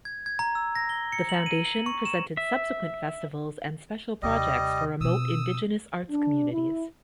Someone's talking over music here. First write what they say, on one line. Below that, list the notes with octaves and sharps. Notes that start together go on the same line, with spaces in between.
The Foundation presented subsequent festivals and special projects for remote Indigenous arts communities.
G#6
G#6
A#5
E6
A#6
G7
C#7
F#7
D#7
F#7
C#6
E7
E5
D#2 C3 G3 D#5
B2 C4 D#6 E6
D4
E4